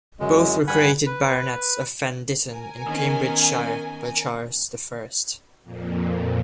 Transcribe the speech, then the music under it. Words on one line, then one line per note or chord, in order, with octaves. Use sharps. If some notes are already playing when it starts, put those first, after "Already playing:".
Both were created baronets of Fen Ditton in Cambridgeshire by Charles the First.
F#2 G#3
G2 F#5 G#5 B5
B4
A#4 G#5
D#3 B3 C#4
F2 A#2